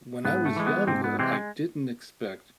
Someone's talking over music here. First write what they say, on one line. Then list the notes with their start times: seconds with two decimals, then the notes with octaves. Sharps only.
When I was younger, I didn't expect,
0.25 G#2 B3
0.46 A3
0.56 E3 G#3
0.67 B3
0.87 G#2 C3 C4
1.04 B3
1.19 C3 E3 G#3 C4